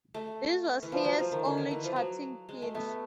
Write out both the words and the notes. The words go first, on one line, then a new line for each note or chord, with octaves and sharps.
This was Hayes' only charting hit.
A3
E3
F3
F#3
F3
D#3
D3
D#3
E3
F3
F#3
G#3
A3
A3 B3